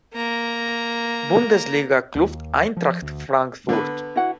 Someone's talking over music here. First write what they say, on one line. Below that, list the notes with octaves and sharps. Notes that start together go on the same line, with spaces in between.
Bundesliga club Eintracht Frankfurt.
A#3 A#5
D#2
F3
D2
D3 B3 B4
E4 F#4 F#5